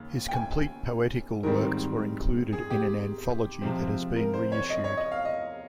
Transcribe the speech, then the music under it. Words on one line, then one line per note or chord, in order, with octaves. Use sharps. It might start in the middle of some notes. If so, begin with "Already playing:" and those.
His complete poetical works were included in an anthology that has been reissued.
Already playing: D#2 C#3 C#4
G5
G#5
G#2 D#3 G3 C4 A#4
G#4
G4
C3 F3 G#3 C4
A#4
C5
C#5
D#5
C#5
D#5
F5
D#5